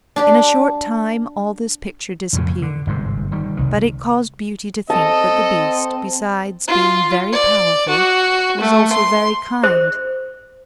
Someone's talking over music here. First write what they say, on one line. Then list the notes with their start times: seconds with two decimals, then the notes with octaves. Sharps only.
In a short time all this picture disappeared, but it caused Beauty to think that the beast, besides being very powerful, was also very kind.
0.16 D4 G4 D5
2.33 F2 A2 C#3
2.62 D3
2.87 G1 G#2 C3
3.32 D#3 G3
3.57 F1 C2 D#3
4.90 C4 A4 D#5 A5
6.68 F4
7.33 D5
7.89 F#4
8.61 A3
8.92 C6
9.64 C5